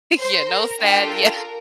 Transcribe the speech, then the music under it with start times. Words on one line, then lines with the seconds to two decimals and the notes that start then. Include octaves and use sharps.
Yeah, no sad. Yeah
0.18 C5 C6
0.49 A#4 A#5
0.81 D4 F4 G4 A4 G5
1.11 A#4